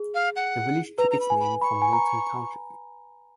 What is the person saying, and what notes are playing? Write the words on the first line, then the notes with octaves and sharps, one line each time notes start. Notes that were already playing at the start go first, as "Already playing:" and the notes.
The village took its name from Milton Township.
Already playing: G#4
F5
F#5
B4 A#5
A#5
B5
G#5
B5
B5 C#6
G#5
A#5